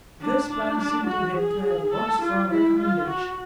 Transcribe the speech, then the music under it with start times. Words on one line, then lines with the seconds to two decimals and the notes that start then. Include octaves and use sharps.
This plan seemed to him to have one strong recommendation.
0.20 D4
0.49 D4
0.78 D4
1.07 F#4
1.35 G#4
1.93 A4
2.22 F4
2.51 E4
2.79 F4
3.07 F#4